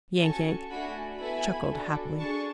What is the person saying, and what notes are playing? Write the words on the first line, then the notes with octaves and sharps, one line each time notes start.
Yank-Yank chuckled happily.
C#4 F#4 A4 A5 C#6
A3 D4 F#4 G#5 B5
B3 E4 A4 G#5 B5
D4 F#4 A4
D4 G#4 A5 C#6